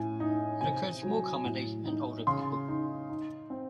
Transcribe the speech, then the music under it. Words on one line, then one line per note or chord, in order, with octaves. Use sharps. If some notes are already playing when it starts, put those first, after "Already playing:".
It occurs more commonly in older people.
Already playing: A2 C#4 G#5
D#4
C3 G#5
F#3
A2
D#4
C#3 C6
D#4
D#4
C4